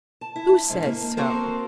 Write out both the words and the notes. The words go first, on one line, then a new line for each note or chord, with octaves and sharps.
"Who says so?"
A5
E4
G#2 D3
A#3
A#3 C4 F#4 A4 A#4 C5